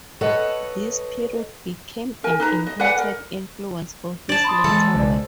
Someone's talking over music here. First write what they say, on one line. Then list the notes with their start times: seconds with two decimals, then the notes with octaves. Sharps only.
This period became an important influence for his later work.
0.21 A4 B4 C#5 D#5 F#5
2.24 A#4 G#5
2.40 D#4 B4 A#5
2.67 D#5
2.80 B4 D5 F#5 G#5
2.98 A#4
4.29 D4 D5 A5
4.44 B5 C6 D#6
4.64 E3 G#3 A4
4.94 B1 C#3 G#3 C5 D5